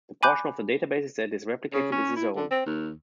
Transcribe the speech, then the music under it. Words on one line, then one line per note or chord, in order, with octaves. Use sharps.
The portion of the database that is replicated is a zone.
G#5 B5 D6 F#6 G6
C#3
C#4
E4
D3
C4
D#2